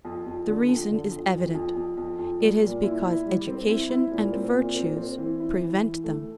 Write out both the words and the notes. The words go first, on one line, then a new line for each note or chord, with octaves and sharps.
The reason is evident: it is because education and virtues prevent them.
F2
F2
D3
F2
D3
F2
F2
F2
F2
F2
F2
G3
A#2
E4
E4
G3
C4
E4
E4
A#2
C4
A#2
C4
C4
E3
E4
E3
E3
A3